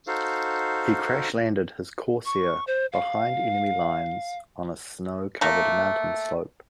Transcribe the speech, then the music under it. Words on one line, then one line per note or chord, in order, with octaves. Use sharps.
He crash-landed his Corsair behind enemy lines on a snow-covered mountain slope.
D#4 F#4 A4 C5 F5
C#6
C5
F5
A3 A#3